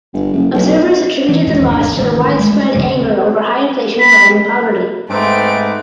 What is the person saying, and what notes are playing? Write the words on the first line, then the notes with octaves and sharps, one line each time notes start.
Observers attributed the loss to the widespread anger over high inflation and rising poverty.
G1
F#1
B1
B1
E3
D#2 E3 G#3
G#1 B3 D4
A1 D#3
G#3 A3
F1 D2 C3
B5
G#2 A3 C4 D#4 B4 D6 D7